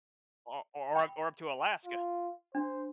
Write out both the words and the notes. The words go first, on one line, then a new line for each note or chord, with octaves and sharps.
Or or or or up to Alaska.
G5 B5
F4
D4 C5